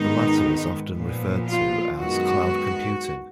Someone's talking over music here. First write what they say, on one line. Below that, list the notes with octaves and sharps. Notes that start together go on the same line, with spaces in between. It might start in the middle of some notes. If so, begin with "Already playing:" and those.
The latter is often referred to as cloud computing.
Already playing: G#2 D#3 G#3 B3 D#4
A#2 F3 B3
F4
F#2 D#3 G#3 B3 F#4